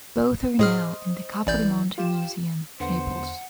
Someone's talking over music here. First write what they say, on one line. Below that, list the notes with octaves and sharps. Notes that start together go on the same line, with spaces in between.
Both are now in the Capodimonte Museum, Naples.
A2 G#4 C5 D#5 F6
A1 E3 D5 G6
F4 G4 E7
E2 D3 B3 C5 F#5